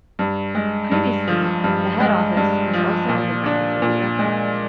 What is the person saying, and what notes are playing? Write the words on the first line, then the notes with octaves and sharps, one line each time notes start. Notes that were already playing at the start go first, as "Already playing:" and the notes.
Previously the head office was also on the grounds of the airport.
G2
G#3
G2
F3
G2
G#3
G2
F3
A#2
D4
A#2
G#3